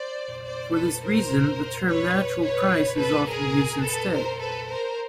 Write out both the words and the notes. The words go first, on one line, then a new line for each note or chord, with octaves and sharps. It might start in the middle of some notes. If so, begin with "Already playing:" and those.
For this reason, the term 'natural price' is often used instead.
Already playing: C5 D5
C5 D5
A4 B4
A#4 C5
B4 C#5
B4 C#5
A4 B4
G#4 A#4
A4 B4
A#4 C5
A4 B4
A#4 C5